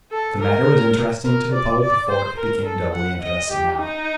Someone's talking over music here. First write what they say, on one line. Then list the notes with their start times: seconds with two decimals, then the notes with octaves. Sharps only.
If the matter was interesting to the public before, it became doubly interesting now.
0.11 A4
0.39 A#4
1.24 A#4
1.52 D5
1.81 D5
2.09 C5
2.37 A#4
2.65 A4
2.93 F#5
3.21 D#5
3.50 G4
3.78 D#4